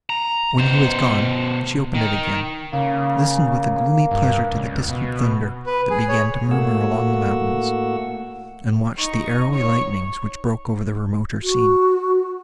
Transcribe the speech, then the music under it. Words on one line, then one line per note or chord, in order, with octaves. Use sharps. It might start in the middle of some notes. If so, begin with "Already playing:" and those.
When he was gone, she opened it again, listened with a gloomy pleasure to the distant thunder, that began to murmur among the mountains, and watched the arrowy lightnings, which broke over the remoter scene.
A#5
B2 C5
D#3
C#3 A#3
G2
C#2
B2
B4
G#4
C#5
A2 A3 A#3 F#4 F#5 E6
D#4 C#6
C#5 C#6
F#4